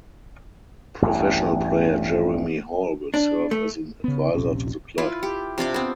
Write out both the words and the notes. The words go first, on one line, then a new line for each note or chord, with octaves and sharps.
Professional player Jeremy Hall will serve as an advisor to the club.
A1 E2 G2
D4
A3
C#3 B3
D#1 A#1 C3 C#4
E4 F4 B4
G4
C3 D4 F4 D6
B3 C4